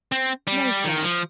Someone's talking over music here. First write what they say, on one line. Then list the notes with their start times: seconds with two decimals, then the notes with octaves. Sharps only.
"No, sir."
0.12 C4
0.47 G3
0.84 D#3
1.03 F3